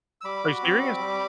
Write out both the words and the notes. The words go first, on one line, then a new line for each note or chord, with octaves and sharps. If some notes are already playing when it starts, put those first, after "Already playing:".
Are you serious?
E6
G3 B5 D6
F#4
C4
G3
G3